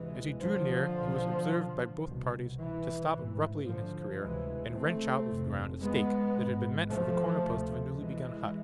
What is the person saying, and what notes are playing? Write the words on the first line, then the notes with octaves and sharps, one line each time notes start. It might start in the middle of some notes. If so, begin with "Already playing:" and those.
As he drew near he was observed by both parties to stop abruptly in his career, and wrench out of the ground a stake that had been meant for the corner-post of a newly-begun hut.
Already playing: D2 C3 E3 G#3
D3 F3
B1 B2
C2 B2
E3
A1 G#2
D3 F3
D2 C3 E3 G#3
A3 C4
F1 F2 C3
G#3 B3
G#1 G#2
F3 A3
D2 C3
E3 G#3